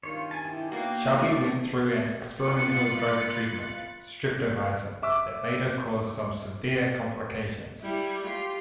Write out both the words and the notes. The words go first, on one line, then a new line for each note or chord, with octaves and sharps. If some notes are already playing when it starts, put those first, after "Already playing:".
Selby went through an experimental drug treatment, streptomycin, that later caused some severe complications.
G2 C3 D#3 F4 C#5
G#5 A5
E4 G4
B2 A#3 D4 F#4 G5
D#3 A#3 F4 F#4 D#5
F#3 A3 D5 A5
F4 F5 B5 F#6 A6 C#7
E5 D6 E6
G3 E4
F4 G4